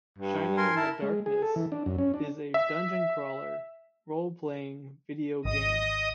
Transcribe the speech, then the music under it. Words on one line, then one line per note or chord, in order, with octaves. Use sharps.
"Shining in the Darkness" is a "dungeon-crawler" role-playing video game.
G2
A#4 G#5 C6
E4 A#4 A5
G#3
G#4
A4
E3
D4
F#2
C#4
D4
E5
G#1 D#5 D#6